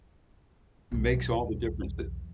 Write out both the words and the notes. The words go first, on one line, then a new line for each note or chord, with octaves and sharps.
makes all the difference that
B1 E2